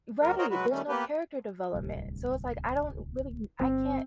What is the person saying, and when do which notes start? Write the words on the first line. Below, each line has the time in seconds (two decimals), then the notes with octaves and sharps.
right, there's no character development. So it's like I don't really I can't,
0.21 D2 G3 A#4
0.38 F#4 A#4 C5 C#5 D#5 G5
0.50 F#3 G#3 F#4 B4
0.71 D#3 G3 A3 C#4
0.88 A#3 B3 G4 B4
1.73 D1 C2 G3
3.60 G1 C4